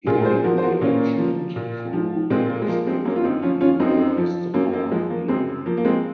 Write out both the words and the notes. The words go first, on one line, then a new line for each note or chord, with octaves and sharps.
He won the election and through this victory he realized the power of media.
A#2 F4 G#4
G#4 C5
F3 F#4 A#4
C5
F#4 A#4
A#2 A#3 C#4
F3
A#2
F3
A#2 G#3 C4
A#3
G#3
F3 A#3
G#3 C4
F#2 A#3 C#4
F4
C4 D#4
F3 C#4 F4
C#4 F4
F#2 C4 D#4
F3
F#2 A#3 C#4
A#3
F3 G#3
A#3
F#2 G#3 C4
F3 A#3
A#3
G#3 C4